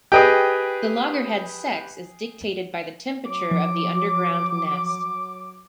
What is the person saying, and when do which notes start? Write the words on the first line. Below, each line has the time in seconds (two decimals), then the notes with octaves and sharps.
The loggerhead's sex is dictated by the temperature of the underground nest.
0.12 G4 G#4 B4 D#5 G5
3.25 F#3 D6
3.51 F3